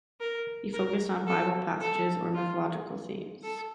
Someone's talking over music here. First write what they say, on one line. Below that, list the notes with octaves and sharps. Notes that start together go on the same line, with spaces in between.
He focused on Bible passages or mythological themes.
A#4
A#4
A4
A4
F4
A4